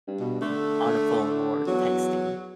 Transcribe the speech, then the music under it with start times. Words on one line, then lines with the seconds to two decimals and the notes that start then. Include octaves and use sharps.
on a phone or texting.
0.07 G2
0.20 B2
0.41 D3 A3
1.67 E2 F#3